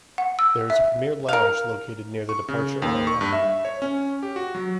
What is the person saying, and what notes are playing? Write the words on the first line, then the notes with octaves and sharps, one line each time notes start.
There is a premier lounge located near the departure area.
F#5
E6
E5
A#4 F5
C#6
C#3
D#2
C#6
G2
E5
C#5
C#4
G4
F#4
F#3